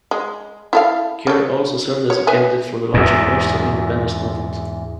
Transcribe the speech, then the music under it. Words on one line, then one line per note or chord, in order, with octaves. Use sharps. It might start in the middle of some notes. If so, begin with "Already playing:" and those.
Kerr also served as a candidate for the larger Ulster Independence Movement.
G#3
E4 A4 F5
C#4 A4
C#5
B4 E5 G#5
E2 G#2